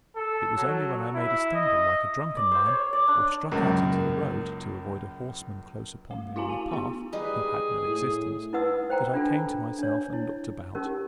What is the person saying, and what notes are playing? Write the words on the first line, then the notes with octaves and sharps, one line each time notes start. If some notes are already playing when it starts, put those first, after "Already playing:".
It was only when I made a stumble like a drunken man, or struck out into the road to avoid a horseman close upon me on the path--who had no existence--that I came to myself and looked about.
A4
F#3
E4
D#5
D5
C5
C#5
D5
D4
C#2 F#2 A#3
A3
E4 F#4 F5 G#5 A#5
A5 D#7
B3 E4
G3 D#4 G#4 B4
A2
D#4 E4 B4 F#5 D#6 E6
C5 G5 A#5
D4 F4 A4
D4 C#5
E4
C#4 D#4 G4 A#4